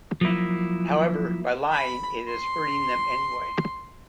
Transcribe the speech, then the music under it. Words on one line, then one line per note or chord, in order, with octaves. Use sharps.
However, by lying, it is hurting them anyway.
F3 F#3 A#3 E4
B5
C6